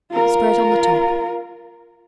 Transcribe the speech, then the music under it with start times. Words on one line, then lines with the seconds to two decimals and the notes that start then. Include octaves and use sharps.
Spread on the top.
0.12 F4 A#4